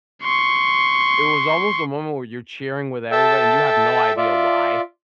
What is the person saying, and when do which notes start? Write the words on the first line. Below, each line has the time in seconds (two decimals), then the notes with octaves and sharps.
it was almost a moment where you're cheering with everybody, and you have no idea why,
0.22 C6 C#6
3.11 A4 E5 G5 A5 E6
4.17 F4 D5 E5